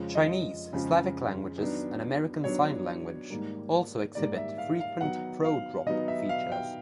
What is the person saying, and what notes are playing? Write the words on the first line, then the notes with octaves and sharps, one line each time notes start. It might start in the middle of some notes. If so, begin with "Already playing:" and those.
Chinese, Slavic languages, and American Sign Language also exhibit frequent pro-drop features.
Already playing: F2 C#3 F3 G#3 C#4
D#5
F2 C#3 F3 G#3 C#4
D#3 F#3 B3 D4
D#3 F#3 B3 D4 C#5
G#2 D#3 G3 A#3
G#2 D#3 G3 A#3 D5
E5
F5
F5
D#3 F#3 B3 F#5
F5
D#3 F#3 B3 D#5
E5
F5
G5